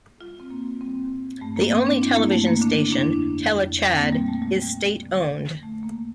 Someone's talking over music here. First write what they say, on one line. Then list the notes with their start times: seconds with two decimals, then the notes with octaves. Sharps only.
The only television station, Tele Tchad, is state-owned.
0.20 G3 F4
0.40 C4
0.51 A2 A#3
0.81 G3 C4
1.12 A2
1.41 G2 A3
1.56 A#3
1.72 F3 C4
1.87 D4
2.01 G2 E4
2.16 A#3
2.31 G2 A3
2.47 A#3
2.61 D3 D4
2.87 E4
2.91 F2 D4
3.23 F2
3.53 F2
3.82 A#2
3.91 C4
3.97 A#3
4.12 A#2 G3
4.28 A3
4.42 A#2 G3
4.61 G3
4.73 A#2
5.03 D3
5.33 F3
5.63 E2 A3
5.83 A#3